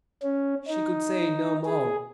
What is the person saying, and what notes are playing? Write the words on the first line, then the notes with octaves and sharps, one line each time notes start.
She could say no more.
C#4
D#4
G#4